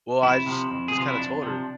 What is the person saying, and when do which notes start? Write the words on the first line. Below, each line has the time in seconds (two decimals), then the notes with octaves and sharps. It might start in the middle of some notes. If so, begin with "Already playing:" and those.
Well, I just just kinda told her
0.23 F2 E4
0.46 C3 F3
0.70 F2
0.88 G#4
0.94 C3 F3 F4
1.08 E4
1.18 F2 D4
1.42 C3 F3